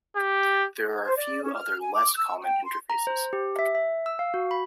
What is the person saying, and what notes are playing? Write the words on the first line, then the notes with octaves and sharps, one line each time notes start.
There are a few other less common interfaces.
G4
C5
D5
C#4
F6
G#5
D6
E6
G5
C6
A#5
C5
G4
E5
E5
E6
F5
F#4
B5